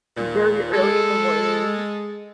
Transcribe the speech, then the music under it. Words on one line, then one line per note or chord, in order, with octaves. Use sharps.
Very early in the morning.
D#2 A#2
G#3 A4